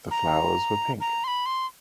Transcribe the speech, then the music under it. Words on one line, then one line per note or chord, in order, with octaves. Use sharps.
The flowers were pink.
A#5
A#5
C6
B5
C6